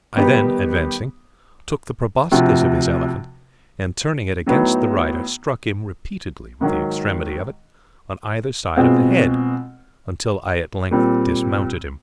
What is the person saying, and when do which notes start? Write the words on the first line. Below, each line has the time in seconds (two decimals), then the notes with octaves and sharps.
I then, advancing, took the proboscis of his elephant, and turning it against the rider, struck him repeatedly with the extremity of it on either side of the head, until I at length dismounted him.
0.17 D#3 G3 B3 D#4 G4
2.31 D2 C3 F3
4.46 A2 F#3 B3 D#4
6.61 G#2 D#3 F#3
8.76 B2 G#3 C4 F4
10.91 A#2 G3 C4